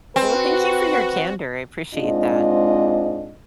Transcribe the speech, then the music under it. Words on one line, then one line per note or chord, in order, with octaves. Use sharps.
Well, thank you for your candor, appreciate that.
C4 F#4 B4
G#2 G#3 C4 D4 F4 D#5